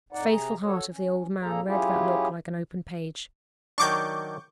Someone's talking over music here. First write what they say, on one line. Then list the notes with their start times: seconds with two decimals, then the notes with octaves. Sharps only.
The faithful heart of the old man read that look like an open page.
0.13 F2 A2 D#4 D5 F#5
0.26 C3 G#4 A#5
0.64 F#4 A4 C#5
0.90 C#4
1.43 F2 A#2 A#3 G#4 A4 A#5
1.66 F#3 C#4 E4 F4 G4 G#4
3.78 D#3 F#3 D4 C#6 D6 G6